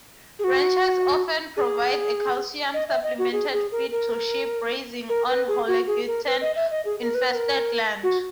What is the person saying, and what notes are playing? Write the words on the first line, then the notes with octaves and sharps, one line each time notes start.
Ranchers often provide calcium-supplemented feed to sheep grazing on halogeton-infested land.
G#4
F#4
G#4
D#5
E5
D#5
F#4
G#4
G#4
A#4
A#4
A#4
B4
G#4
F#4
G#4
A#4
B4
D#5
E5
D#5
G#4
A#4
B4
B4
A#4
F#4